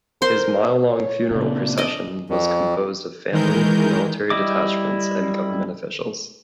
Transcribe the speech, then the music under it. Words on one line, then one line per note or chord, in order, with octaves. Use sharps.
His mile-long funeral procession was composed of family, military detachments and government officials.
A#4 C5 C6
C#5
A#2 C#3 D4
D5 D#5
F2
D#3 E3 G#3 A#4 G6
G3 E4 D#5 D6